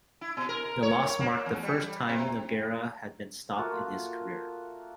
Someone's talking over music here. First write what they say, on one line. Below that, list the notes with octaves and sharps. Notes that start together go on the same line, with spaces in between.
The loss marked the first time Nogueira had been stopped in his career.
E4
B2
A#4
C#5
A#3
E2
G3
C3
A3 A#3 F4 F#4